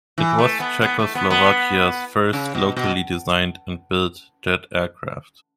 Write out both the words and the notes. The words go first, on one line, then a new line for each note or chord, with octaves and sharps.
It was Czechoslovakia's first locally designed and built jet aircraft.
E3
A3
B3
B3
A3
B3
B3
C#3
B2
B2